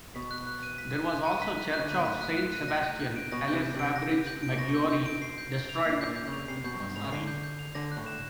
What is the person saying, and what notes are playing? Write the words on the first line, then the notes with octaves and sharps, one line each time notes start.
There was also the church of Saint Sebastian "alle Fabbriche Maggiori", destroyed by Vasari.
B2 B6
F#6
F#6
D#7
B6
F#6
F#6
D#7
B6
F#6
F#6
C#3
D3
D#7
A#2
A2 B6
F#6
F#6
D#7
A#6
G6
G6
D7
B2 A#6
C3 G6
G6
C3 D7
A#6
G6
G6
D7
A#2
B2 A#6
G6
G6
D7
C7
G6
G6
F7
A#2 C7
G6
A#2
G6
C#3
F7
C3 C7
B2 G6
F#2
G2 G6
G#2 F7
C#3
D3 C7
G6
G6
F7
D3 A#6
F#6
A2
E7